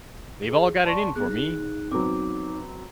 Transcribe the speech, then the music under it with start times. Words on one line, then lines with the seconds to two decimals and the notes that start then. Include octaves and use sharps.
They've all got it in for me!
0.48 G#4
0.85 D5 A5 C6 C#6
1.16 B3 G#4 F#6
1.31 D#4
1.91 F#3 B3 C4 D6